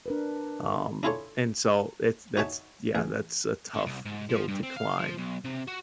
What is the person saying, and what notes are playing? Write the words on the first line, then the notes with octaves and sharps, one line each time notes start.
Um, and so, it's that's yeah, that's a tough hill to climb,
D4 A#4 B4
D4 E4 F4 G#4 A4 C#5
D#4 F#4 C#5 E5 G#5 A5
A1 G#4
D3
C2
G#2
F3
G2
C4
F5
F3
B1
C3
F#4